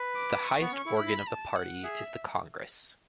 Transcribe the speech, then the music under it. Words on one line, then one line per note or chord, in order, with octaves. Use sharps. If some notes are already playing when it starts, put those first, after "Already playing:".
The highest organ of the party is the congress.
Already playing: B4
D6
C#6
B3
C#4
E4
B5
A5
F#5
G#4 E5